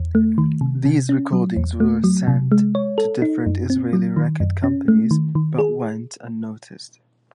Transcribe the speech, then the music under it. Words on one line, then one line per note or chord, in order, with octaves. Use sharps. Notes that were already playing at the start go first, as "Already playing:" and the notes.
These recordings were sent to different Israeli record companies but went unnoticed.
Already playing: E2
A3
D#3
C3
C3
C#4
F#3
E2
A3
F#3
C3
G#3
C#5
A4
D#4
F#2
C4
F#3
D#3
F#2
C#4
A3
D#3
D#3
G#4